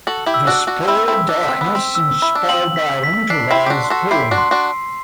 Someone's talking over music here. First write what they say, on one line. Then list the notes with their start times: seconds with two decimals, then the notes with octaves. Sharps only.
This pall of darkness inspired Byron to write his poem.
0.07 F#4 A4 F#7
0.26 E4 G4
0.34 E6
0.47 D4 F#4
0.61 E6
0.67 D4 F#4
0.88 C4 E4 E6
1.08 C4 E4
1.14 E6
1.29 D4
1.41 B6
1.48 C4
1.61 B3
1.68 E6
1.75 C4
1.95 E6
2.22 E4 E6
2.35 D4
2.49 C4 F#7
2.76 B6
3.04 B6
3.30 D4 C7
3.51 C4 E4
3.57 C6
3.66 G4
3.70 D4 F#4
3.84 C6
3.90 F#4 A4
4.11 E4 G4 C7
4.31 D4 F#4
4.38 C6
4.51 D4 F#4
4.66 C6